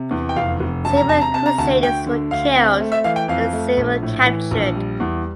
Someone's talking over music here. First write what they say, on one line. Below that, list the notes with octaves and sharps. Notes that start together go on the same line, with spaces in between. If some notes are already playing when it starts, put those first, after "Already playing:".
Several crusaders were killed and several captured.
Already playing: C3
E2
G5
F1 F5
F1
E1 A5
A#5
C3 A5
A#5
C3 A5
A#5
D2 A5
D2 G5
D3
D2 F5
C4
A3
E5
E3 F5
G5
F2 F5
A3
A#1
A2
E3
A#1
G3
E2